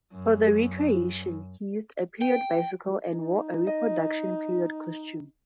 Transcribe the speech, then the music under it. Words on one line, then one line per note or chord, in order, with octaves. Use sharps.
For the recreation he used a period bicycle and wore a reproduction period costume.
F#2
G5
D#4
D#5